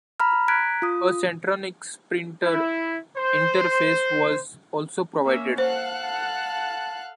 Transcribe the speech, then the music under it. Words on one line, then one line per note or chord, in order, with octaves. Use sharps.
A Centronics printer interface was also provided.
A#5 B5 F6
A#5 F#6 G#6 B6 D7
F4 D#6
E4
C5
A#3 C#4 E5
A4 C5 F5 F#5 F#6
A5